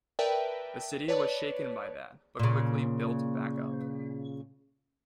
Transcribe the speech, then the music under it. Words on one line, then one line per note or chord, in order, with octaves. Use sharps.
The city was shaken by that, but quickly built back up.
A#4 B4 D5 E5 G5 A5
B4 C#5 D5 A5
A#2 C#3